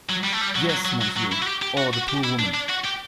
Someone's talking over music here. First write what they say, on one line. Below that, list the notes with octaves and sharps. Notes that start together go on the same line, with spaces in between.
Yes, monsieur — oh, the poor woman!
F#3
G3
A3
G3
F#3
F#3
F#3
F#3
F#3
E4
F#4
G4
G4
F#4
F#4
G4
E4
D4
D4
F#4
G4